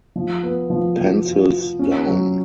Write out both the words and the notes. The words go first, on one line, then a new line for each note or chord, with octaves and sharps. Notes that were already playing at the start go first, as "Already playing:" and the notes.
Pencils down.
F3
B3
F3
F3
F4
F4
C#4
F#3